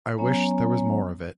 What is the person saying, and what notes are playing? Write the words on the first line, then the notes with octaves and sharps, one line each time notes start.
I wish there was more of it.
F#3 B3 C#4 C#5 G#5 A#5